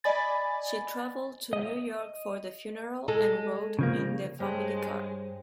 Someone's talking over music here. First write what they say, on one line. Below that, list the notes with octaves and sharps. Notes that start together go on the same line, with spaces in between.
She traveled to New York for the funeral and rode in the family car.
D5 D#5 G#5 B5 A6
D#5
G#3 A4
C#3 F3 A#3
G2 G#3 C5 C#5 G5